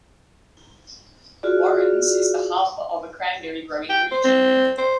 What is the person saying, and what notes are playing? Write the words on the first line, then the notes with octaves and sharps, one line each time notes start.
Warrens is the hub of a cranberry-growing region.
F4 F#4 G#4 D5
G5
C5
C4
C5